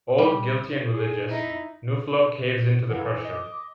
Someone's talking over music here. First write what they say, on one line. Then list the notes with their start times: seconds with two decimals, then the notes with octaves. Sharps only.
Old, guilty and religious, Nuflo caves in to the pressure.
0.18 G3
0.92 G#4
1.30 D#4 E4
2.90 E3 A#4 F5 F#5
3.06 D6
3.24 D#5